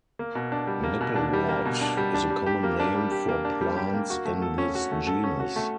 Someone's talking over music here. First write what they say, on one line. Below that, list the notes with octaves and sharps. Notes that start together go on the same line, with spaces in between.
Nipplewort is a common name for plants in this genus.
A#3
B2
D4
G3
A#3
B2
D4
G3
A#3
B2
D4
G3
D4
G3
G4
A#3
D4
G3
G4
A#3
D4
G3
G4
A#3
F#4
A3
A4
C#4
F#4
A3
A4
C#4
F#4
A3